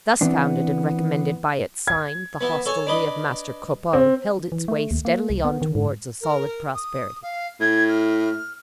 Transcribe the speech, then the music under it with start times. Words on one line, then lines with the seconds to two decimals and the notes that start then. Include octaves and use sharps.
Thus founded and recommended by its sign, the hostelry of Master Cropole held its way steadily on towards a solid prosperity.
0.21 E3 B3 C4 D4
1.88 G#6
2.41 E3 B3
2.66 A4 C#5 G#5
2.87 D4 B4 D#5
3.93 C4
4.52 E3
4.68 A3
4.91 D#2
5.05 A#3
5.30 C2
5.45 B3
5.62 D#3
5.75 G#2
6.21 A#4
6.74 D#6
7.22 F5
7.61 A2 G#6
7.89 F6